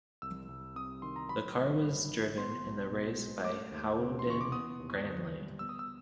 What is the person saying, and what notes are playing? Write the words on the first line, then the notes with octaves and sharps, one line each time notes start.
The car was driven in the race by Howden Ganley.
C2 E6
C2
C3 D#6
D#3 C6
A#5
F#3 B5
A1
G2
D#3
B3 C6
B1
B2
G#3
A3 D6
D#2
C#3
C6
E3 C#6
D6
B3 D#6
D#2
D3
G3
B3 E6
D#6
E6